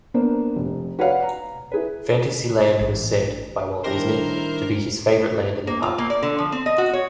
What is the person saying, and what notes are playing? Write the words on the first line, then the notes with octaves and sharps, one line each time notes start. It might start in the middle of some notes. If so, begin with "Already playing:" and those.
Fantasyland was said, by Walt Disney, to be his favorite land in the park.
A#3 B3 D4 C5
F1
F#4 B4 C#5 D5 F5 F#5
A#5
E4 G#4 B4
A1
D#3 G3 D4 E4 G4 A#4 C5
A#3
F4
A#3
D5
D3
F3
C4
D#5
F#4
C#5